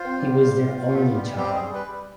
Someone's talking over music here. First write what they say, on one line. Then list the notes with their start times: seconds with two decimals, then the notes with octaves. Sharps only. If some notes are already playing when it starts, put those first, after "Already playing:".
He was their only child.
Already playing: F4 C5
0.18 G3
0.42 F4
0.66 F4
0.89 B3
1.13 G3
1.37 C4 G4
1.56 G#4
1.61 G3
1.74 B4
1.86 G3